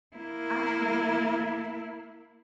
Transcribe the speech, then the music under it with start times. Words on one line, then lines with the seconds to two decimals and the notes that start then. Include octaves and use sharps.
I actually have a couple of approaches.
0.17 A#3 E4